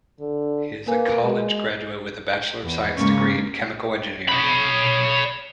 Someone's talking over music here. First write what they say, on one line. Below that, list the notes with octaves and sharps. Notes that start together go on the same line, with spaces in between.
He is a college graduate with a Bachelor of Science degree in chemical engineering.
D3
A#3 A#4 B4 G#5
G#3
E2
G#2 C#3 G#3 A#3 C#4 C#6
C#5 B5